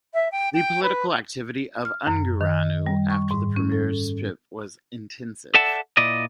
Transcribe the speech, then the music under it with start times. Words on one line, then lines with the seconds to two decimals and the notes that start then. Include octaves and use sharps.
The political activity of Ungureanu after the premiersphip was intensive.
0.14 E5
0.32 G5
0.54 G5
0.83 B4
1.85 F6
2.07 F#2
2.41 D#3
2.86 G3
3.10 C#6
3.31 G#2
3.56 C#4
3.72 A4
5.54 A4 D5 E5 F#5 A5
5.97 A#2 E4 D5 D#5